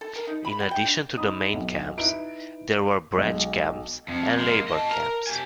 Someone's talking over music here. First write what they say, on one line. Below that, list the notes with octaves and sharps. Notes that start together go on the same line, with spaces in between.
In addition to the main camps there were branch camps and labour camps.
A4
A#4
D#4
B5
F#4
G5
D4
D#4 B5 D#6
B1
D#4 E4 B4 D7
B1 G#3
F2
G#3 A#3
D#5 A5
A#4
G4 G#5